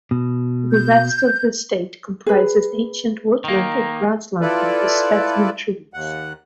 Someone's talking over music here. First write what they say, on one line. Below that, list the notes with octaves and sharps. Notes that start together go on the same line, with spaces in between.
The rest of the estate comprises ancient woodland and grassland with specimen trees.
B2
G6
G#4 B4
D#3 A#3
E4 F4 A4 B4 D5
D#2 F#5